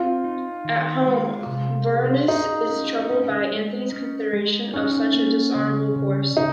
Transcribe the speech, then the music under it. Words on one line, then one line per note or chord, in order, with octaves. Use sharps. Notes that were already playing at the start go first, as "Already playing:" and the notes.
At home, Vorenus is troubled by Antony's consideration of such a dishonorable course.
Already playing: C4 F4
D#4
D#3
G#3
C3
G#4
D#4 G#4
C#4
C#4
G#3
C#4
G#3
C#4 D#4
A#3
C#3
C#3
C#3 D#4